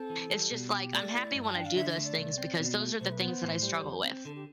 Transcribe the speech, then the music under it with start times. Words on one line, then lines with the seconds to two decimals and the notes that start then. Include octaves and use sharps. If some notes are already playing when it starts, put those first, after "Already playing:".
it's just, like, I'm happy when I do those things because those are the things that I struggle with.
Already playing: C4 A4
0.10 E3
0.30 G3
0.51 B2
0.72 G4
0.94 A3 D5
1.14 E4
1.35 G2
1.43 A5
1.54 D4 G5
1.65 F5
1.76 D3 E5
1.90 E5
1.97 A3
2.04 D5
2.18 C2
2.38 C4
2.59 B2
2.80 A3
3.00 B1 C5
3.12 B4
3.21 B3 C5
3.42 A2
3.63 G3
3.83 E2
4.04 C4
4.25 D3 A4
4.35 G4